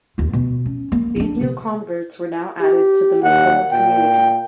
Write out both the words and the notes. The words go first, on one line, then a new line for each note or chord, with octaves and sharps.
These new converts were now added to the Mappila community.
D#2 F4
B2
C#4
A#3
D4 D#4
C3
G4
D#2 F#5
A#2 G5